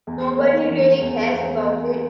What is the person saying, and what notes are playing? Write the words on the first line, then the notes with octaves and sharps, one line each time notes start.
Nobody really cares about it.
E2
A#3
E3
E2
E2
A#3